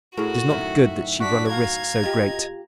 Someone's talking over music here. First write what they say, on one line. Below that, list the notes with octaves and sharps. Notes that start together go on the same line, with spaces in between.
It is not good that she run a risk so great.
A2 F#4 G#4 A#4
F#2 D#3 F#3 E5
D4 F#4 B6
F5 A#5 G#6
F4 G4 D#5